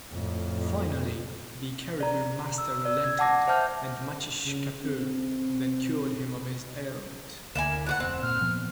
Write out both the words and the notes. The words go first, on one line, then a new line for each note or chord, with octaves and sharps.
Finally, the Caribou Master relented, and Matshishkapeu then cured him of his ailment.
F2 A2
D5 A#5
E6
D5 E6
G#6
F#5 A5 D6 A#6
C5 E5 A5 F6 G6
C#3
C4
D2 A#3 E4 G#5 E7
A2 G4 F#5 F#6
F1 C4
A#2 F6
A#2 F3 B3